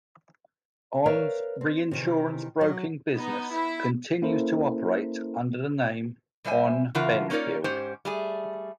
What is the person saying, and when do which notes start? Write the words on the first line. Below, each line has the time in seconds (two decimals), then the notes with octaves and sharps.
Aon's reinsurance broking business continues to operate under the name Aon Benfield.
1.06 A#4 B4 C#5 D5 E5 F5
1.61 C4
1.91 C3 D#3 E3
2.61 F#3
3.16 B3 D#4
3.51 E4
4.22 A#3 C#4 E4 A4 A#4 C5
6.44 B2 G3 C5 E5 G#5
6.95 C#3 E3 F4 A#4 F#5 A5
7.30 A#3 C#4 D#4 F4 A#4 D5
7.64 G#2 C#4 G4 C5
8.05 G3 A3 G#4